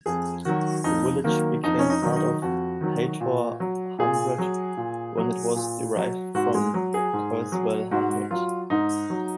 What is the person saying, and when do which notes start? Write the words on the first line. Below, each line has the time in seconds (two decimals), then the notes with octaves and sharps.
The village became part of Haytor Hundred when it was derived from Kerswell Hundred.
0.06 F2 G#4
0.45 D#3 F#3 F#4
0.84 F2 D#4
1.24 D#3 F#3 A#3
1.64 F2 D#4
1.79 C#4
1.90 D#4
2.02 D#3 F#3
2.16 D#4
2.42 F2 F#4
2.81 D#3 F#3
3.21 A#2
3.60 F#3
3.99 A#2 G#4
4.38 F#3
4.77 A#2
5.18 F#3
5.56 A#2
5.96 F#3
6.35 G#2 F#4
6.54 G#3
6.74 F#3
6.94 G#4
7.13 G#2
7.52 F#3
7.91 G#2 F#4
8.31 F#3 F4
8.70 G#2 D#4
9.10 F#3